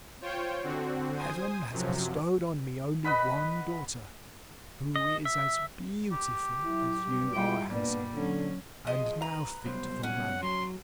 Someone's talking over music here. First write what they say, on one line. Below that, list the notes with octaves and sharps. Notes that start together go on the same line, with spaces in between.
Heaven has bestowed on me only one daughter, who is as beautiful as you are handsome, and now fit for marriage.
F4 C5 C#5 G5
D3 C4 F#4
C5 G#5 D#6
F#2 C3 F3 F#3
B4 D#5 F#5 B5
D#5
E5
G4
F#3 E4
G2
G3 G#3 E4 F4 G5
A#2 G3 A#3 B3 D4 D5
D3 F#3 C#4
F3 G#3 D#5
B4 A#5
C2 F#2 B2 C5
C#4 F#5
F#3 C6